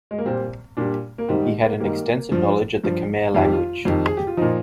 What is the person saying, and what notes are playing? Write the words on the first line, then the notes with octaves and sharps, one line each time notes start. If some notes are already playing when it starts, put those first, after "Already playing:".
He had an extensive knowledge of the Khmer language.
G#3
A#3
A#2 G3 C4
A#2 G3 D4
A#3
G#2 D#3 G3 C4
G#3
A#3
G#2 D#3 G3 A#3
G2 F3
G2 F3
F2 D#3 G3 F4
G4
F4
F2 D#3 G3
G#4
G4
F4
A#2 F3 D#4